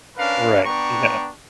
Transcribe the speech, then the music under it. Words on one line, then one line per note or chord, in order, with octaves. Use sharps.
Right. Yeah.
C#4 D4 A#4 B4 F5
B3 D4 G5 A#5 C#6